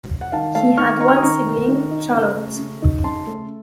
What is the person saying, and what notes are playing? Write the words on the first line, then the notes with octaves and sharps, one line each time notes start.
He had one sibling, Charlotte.
F#5
D#3 F5 A5
A3 F5 A5
D#3 C#6 F6
D#4 A#5 C#6
F6
D#6
D#3 A#5 C#6
A3
D#3
D#4
C#3
A3
C#3
D#4
C#3 A5 C6
A3